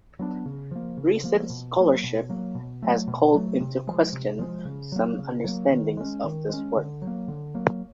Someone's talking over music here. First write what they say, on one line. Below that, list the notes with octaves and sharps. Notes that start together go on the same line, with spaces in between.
Recent scholarship has called into question some understandings of this work.
F#3 B3 D4
C#3
F3 A#3
C#3
F3 A#3
B2
F#3 A#3
B2
F#3 A#3
B2
F#3 A3
B2
F#3 A3
C3
F3 G#3
C3
F3 G#3
C#3
F#3 A#3
C#3
F#3 A#3
D#3
G#3 C#4
D#3
G#3 C#4
D3
F#3
A#3
D3
F#3 A#3